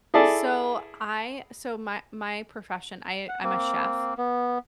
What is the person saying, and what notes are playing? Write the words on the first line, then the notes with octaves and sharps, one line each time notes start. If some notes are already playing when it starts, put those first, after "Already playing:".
So I so my my profession, I I'm a chef.
E4 G#4 A4 D5
F#5
A#3 C4
B3